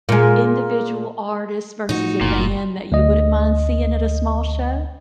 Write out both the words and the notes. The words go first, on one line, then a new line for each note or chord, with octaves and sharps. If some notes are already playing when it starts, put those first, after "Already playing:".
individual artist versus a band that you wouldn't mind seeing at a small show?
A#2 G#3
A2 F3 D#4 F#4
F#1 A#2
D2 D#5